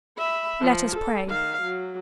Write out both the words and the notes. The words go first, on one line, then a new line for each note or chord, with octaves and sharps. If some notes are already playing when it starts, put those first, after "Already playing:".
"Let us pray."
E5 B5
F3
A4
D#3 F5
F#3